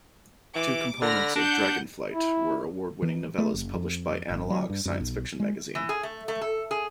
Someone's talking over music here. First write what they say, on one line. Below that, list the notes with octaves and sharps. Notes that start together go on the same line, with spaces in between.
Two components of "Dragonflight" were award-winning novellas published by "Analog" science fiction magazine.
E3 D6
D3 B5 F6 A#6
D4 F#5 G6
E4
E3
A3
F#1
F2
G#1
F#3
G2
F#2
B1
G#3
E3
G#4
A3
A3
A4
G#4